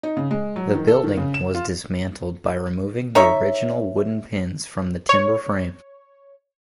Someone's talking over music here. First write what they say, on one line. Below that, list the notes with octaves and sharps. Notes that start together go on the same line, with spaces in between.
The building was dismantled by removing the original wooden pins from the timber frame.
D#4
C#3
G#3
F#3
D#3
A4
D#3
C#3
E7
F4
D#4 C#5 E5
C#5